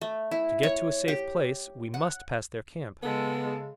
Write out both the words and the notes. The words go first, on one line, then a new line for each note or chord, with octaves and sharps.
To get to a safe place we must pass their camp.
A3
E4
C#5
G4
F#5
C#3 G#3 B3 A4